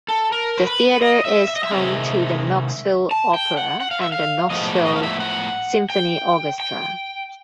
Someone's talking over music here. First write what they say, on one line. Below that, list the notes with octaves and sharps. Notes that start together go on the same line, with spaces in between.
The theater is home to the Knoxville Opera, and the Knoxville Symphony Orchestra.
A4
A#4
C5
B4
D#5
E5
E5
D#5
E5
C3 D#3 G#3 C4
A5
G5
F#5
F#5
F5
E5
F5
A2 F3 G#3 B3 D#5
D5
D#5
F5
E5
F#5
G5
G5